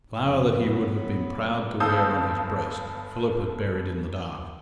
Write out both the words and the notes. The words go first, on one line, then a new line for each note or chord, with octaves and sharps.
The flower that he would have been proud to wear on his breast Philip had buried in the dark.
F1
A2 F#3 B3 B4
G1 F5 A5 D#6 E6 G6